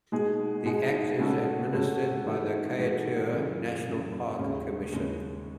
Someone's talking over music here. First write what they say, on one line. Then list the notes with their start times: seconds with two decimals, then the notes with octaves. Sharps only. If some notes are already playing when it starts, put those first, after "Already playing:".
The Act is administered by the Kaieteur National Park Commission.
0.12 B2 G#3 D#4 G#4
0.66 B2 G#3 D#4 G#4
1.19 C#3 G#3 C#4 F#4 A4
1.73 C#3 G#3 C#4 F#4 A4
2.26 E3 G#3 D#4 F#4 A4
2.79 E3 G#3 D#4 F#4 A4
3.32 F#2 C#3 E3
3.85 F#2 C#3 E3
4.39 D#2 C#3 G#3 C#4
4.92 D#2 C#3 G#3 C#4